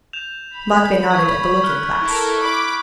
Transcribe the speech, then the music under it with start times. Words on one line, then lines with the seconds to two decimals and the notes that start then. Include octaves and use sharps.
Matvey nodded at the looking-glass.
0.13 G6 E7 F7
0.54 B5
1.11 C#6 G#6
1.64 F6 F#6
2.01 E4 A4 A#4
2.40 B5 D6